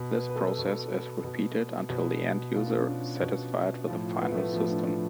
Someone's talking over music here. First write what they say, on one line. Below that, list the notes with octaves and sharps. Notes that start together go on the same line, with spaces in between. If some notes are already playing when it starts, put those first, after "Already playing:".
This process is repeated until the end-user is satisfied with the final system.
Already playing: B2
B4
B4
A4
B2
B2
B2
B2 F4
D4
C#4
D4
B2
A2 F3 F4
F4
B3
A3
B3
A2 F3
D4
D4